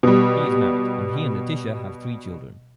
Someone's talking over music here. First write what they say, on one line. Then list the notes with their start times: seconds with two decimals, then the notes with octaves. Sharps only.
He is married and he and Leticia have three children.
0.03 B2 G3